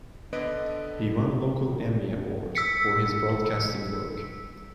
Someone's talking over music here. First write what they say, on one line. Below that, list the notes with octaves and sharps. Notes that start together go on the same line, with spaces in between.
He won a local Emmy Award for his broadcasting work.
D3 B3 A4 B4 D#5 D7
E6 B6 C#7